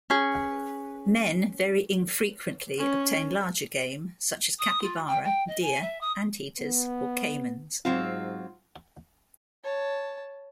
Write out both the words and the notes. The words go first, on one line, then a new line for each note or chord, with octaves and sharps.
Men very infrequently obtain larger game such as capybara, deer, anteaters, or caimans.
C#4 G#4
C#4
D#6
F4
G5
G5
D#5
G#5
E5
D#6
B3
G#2 F#3 C4 F4
C#5 A5